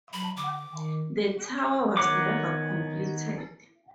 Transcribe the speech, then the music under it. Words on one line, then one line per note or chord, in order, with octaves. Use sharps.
The tower was never completed.
F#3 B5
D3 D6
D#3
D#3 B3 C#5 F#5 D6